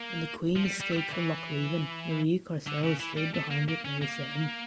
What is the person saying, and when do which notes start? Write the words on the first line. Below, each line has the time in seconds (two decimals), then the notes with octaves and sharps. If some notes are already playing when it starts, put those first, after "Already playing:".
When the queen escaped from Lochleven Marie Courcelles stayed behind with Mary Seton.
Already playing: A#3
0.56 F3
0.64 G3
0.80 G3
0.92 A3
0.97 G3
1.09 D3
1.14 E3
2.67 D3
2.84 C#3
3.00 E3
3.17 G3
3.34 A3
3.50 A#3
3.68 A#3
3.85 C#4
4.02 A#3